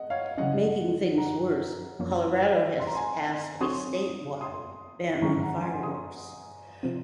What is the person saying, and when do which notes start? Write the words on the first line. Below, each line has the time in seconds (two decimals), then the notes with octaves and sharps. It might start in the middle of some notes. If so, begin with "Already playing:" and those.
Making things worse, Colorado has passed a statewide ban on fireworks.
Already playing: D#5 F#5
0.10 C#5 F5
0.38 C#3 F#3 C#4 D#5 F#5
1.18 F#5 A#5
1.99 F#2 F3 A#3 C#4
2.80 C6
2.87 A#5
2.95 G#5 C6
3.61 F#3 C4 F#4 C#5 C6 D#6
4.41 C6 D#6
5.22 G#2 D#3 F#3 C#4 G#4 A#5 C#6
5.42 F#5 A#5
5.62 G#5 C6
5.82 C6 D#6
6.83 C3 F3 C4